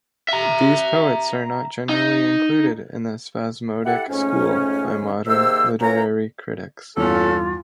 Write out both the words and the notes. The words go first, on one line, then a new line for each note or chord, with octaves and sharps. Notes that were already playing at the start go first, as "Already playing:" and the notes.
These poets are not generally included in the Spasmodic school by modern literary critics.
E5 A#5
D#4
E4 G4 A4 F#5
F2 G#2 A3 C#4
C3 D#3 A#3 G#4 C5 E6
C#4 F4 A#4 B4 C#5 A#5
E2 G2 A#2 C#4 F4 A4